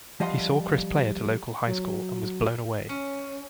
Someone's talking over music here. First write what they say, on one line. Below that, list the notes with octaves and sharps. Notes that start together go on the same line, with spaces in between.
He saw Criss play at a local high school and was blown away.
F3 G3 D#5 F5 F#5 C6
F#3
C#4